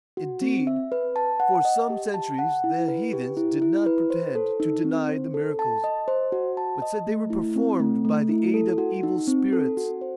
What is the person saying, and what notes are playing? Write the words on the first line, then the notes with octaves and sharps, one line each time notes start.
Indeed, for some centuries the heathens did not pretend to deny the miracles; but said they were performed by the aid of evil spirits.
F#4
C4
E5
B4
A5
F#5
D#5
G4
A5
F#5
E4
B4
G4
E4
E4
B4
C5
A4
D#4
C4
C5
A4
A5
D#5
C5
F#4
A5
D#5
A3
E4
C4
A3
A3
E4
A4
F#4
D#4
C4
A4
F#4
C5